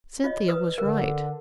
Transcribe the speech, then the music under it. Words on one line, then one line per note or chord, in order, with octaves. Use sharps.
Cynthia was right.
F4 C#5 D#5
B4 D#6
D3 A#4